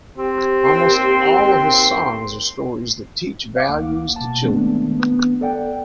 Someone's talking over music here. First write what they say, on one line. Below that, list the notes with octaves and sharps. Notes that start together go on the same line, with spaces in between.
Almost all his songs are stories that teach values to children.
C4 G4
D#2 G5 C6
F5 D6
D2 A#3 F#5
B2 A5
D#3 G#3 A3 B3 C4 D4
B3
A4 D5 F#5 G5